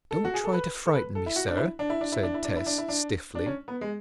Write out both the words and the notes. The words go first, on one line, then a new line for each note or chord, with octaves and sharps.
"Don't try to frighten me, sir," said Tess stiffly.
A4
F#4
G#4
A4
B4
A4
B4
A4
E4
F#4
D4
E4
D4
E4
D4
E4
D4
E4
D4
E4
D4
E4
D4
D4
C#4
B3
G#3